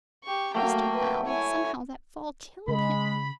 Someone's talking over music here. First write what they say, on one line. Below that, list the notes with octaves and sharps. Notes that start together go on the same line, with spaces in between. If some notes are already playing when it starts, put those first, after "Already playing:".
Mr. Bell, somehow that fall killed him!'
G4 C#6
F#3 A3 A#3 F5 G5
B4 G5
E4 C#5 G#5
C#3 G#3 B5